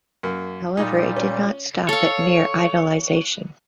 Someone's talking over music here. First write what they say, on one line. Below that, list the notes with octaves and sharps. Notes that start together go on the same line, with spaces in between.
However, it did not stop at mere idolisation.
F#2 A#3
A#2 G3 D#4
C#4
A4 C#5 F5